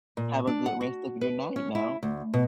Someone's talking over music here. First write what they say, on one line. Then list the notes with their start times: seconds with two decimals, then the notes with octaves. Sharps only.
Have a good rest of your night now.
0.17 A#2
0.47 D4
0.66 F#5
0.81 F#4
1.21 B4
1.56 C#4
1.75 E4
2.03 D2
2.34 B2